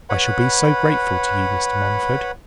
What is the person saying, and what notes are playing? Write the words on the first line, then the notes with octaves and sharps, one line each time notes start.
I shall be so grateful to you, Mr. Mumford.
B4 C#5 F#5 B5